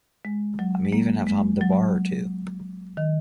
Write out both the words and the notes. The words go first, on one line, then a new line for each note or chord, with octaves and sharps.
I may even have hummed a bar or two.
G#3
F#3
G#3
A#3
G#3
F#3
D#3